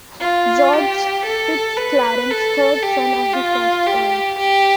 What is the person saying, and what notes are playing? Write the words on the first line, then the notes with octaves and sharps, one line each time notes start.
George FitzClarence, third son of the first Earl.
F4
G4
A4
B4
A4
G4
F4
G4
G4